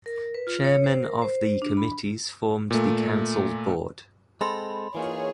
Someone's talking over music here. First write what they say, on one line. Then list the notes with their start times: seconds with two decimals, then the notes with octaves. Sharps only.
Chairmen of the Committees formed the Council's Board.
0.06 A#4
0.34 B4
0.47 F4
0.64 C#5
0.84 C5
1.03 A#4
1.22 C5
1.62 D4
1.77 B5
2.71 A#2 A3
4.41 G#3 C4 A4 B5 C6
4.95 E3 A#3 D#4 F4 G#4 C#5